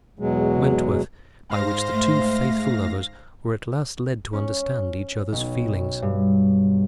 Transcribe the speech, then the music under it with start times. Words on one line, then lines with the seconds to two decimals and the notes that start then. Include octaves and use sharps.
Wentworth, by which the two faithful lovers were at last led to understand each other's feelings.
0.19 E2 B2 F#3 G#3
1.50 G#2 C5 F5 A#6
1.92 A3
4.33 C#4
5.32 B1
6.02 G2